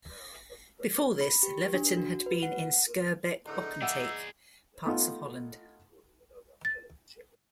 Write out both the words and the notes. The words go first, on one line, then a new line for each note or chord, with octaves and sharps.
Before this, Leverton had been in Skirbeck Wapentake, Parts of Holland.
B5
G4
D4
F#4
B4
F#5
E2 A2 D3 D#4
G#4 D5 E5 F#5
A3 B3 D#4 F4
A6